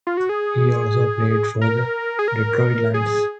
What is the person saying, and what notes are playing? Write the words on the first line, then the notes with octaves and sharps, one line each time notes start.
He also played for the Detroit Lions.
F4
F#4
G#4
A#4
G#4
A#4
G#4